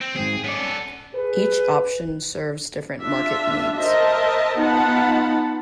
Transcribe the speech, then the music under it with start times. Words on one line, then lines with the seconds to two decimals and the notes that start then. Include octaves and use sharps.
Each option serves different market needs.
0.01 C4
0.16 G#2 C4 G#4
0.44 B3 C#4 A4 D5
1.14 G#4 A4 B4
3.00 D4 F4 E5
3.77 A#4 C5 D#5 E5 A5
4.58 B3 D#4 F4 F#5 A5 B5